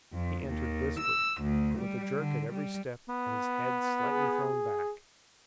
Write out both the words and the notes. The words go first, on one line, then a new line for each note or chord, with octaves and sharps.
He entered briskly, with a jerk at every step and his head slightly thrown back.
F2
D#2
E6
D2
G3
D3
G3
B3
G#4